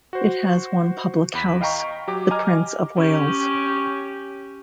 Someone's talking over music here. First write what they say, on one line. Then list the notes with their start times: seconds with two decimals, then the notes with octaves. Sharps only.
It has one public house, the Prince of Wales.
0.13 F#4 C5
1.33 E2 B5 B6
1.61 D#5 F5 G5 A#5 C#6
2.07 F#3 G4 D6
2.31 D#5 G#5 A#5 D6 F6
2.96 C#4 G4